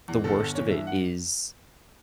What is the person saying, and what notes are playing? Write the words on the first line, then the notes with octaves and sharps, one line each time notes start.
the worst of it is
E2
G1 A4
G1
E3 C#5
G2 E5
F#5